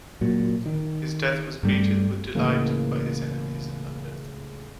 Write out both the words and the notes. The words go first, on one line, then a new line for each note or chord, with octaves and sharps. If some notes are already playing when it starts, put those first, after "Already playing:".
His death was greeted with delight by his enemies in London.
A#2 F#3
D#3
G2 G3 A3
C#2 A2 E3 A#3